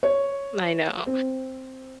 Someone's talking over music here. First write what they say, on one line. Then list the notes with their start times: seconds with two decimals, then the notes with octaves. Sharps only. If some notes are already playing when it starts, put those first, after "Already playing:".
I know.
0.03 C#5
1.06 C4